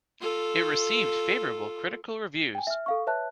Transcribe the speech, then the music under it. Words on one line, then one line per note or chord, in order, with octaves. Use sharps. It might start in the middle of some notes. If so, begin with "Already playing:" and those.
It received favorable critical reviews.
F4 A4
G5 G#5
E5 F6
A4 F5 C#6
B4 C#5 E5 A5 F#6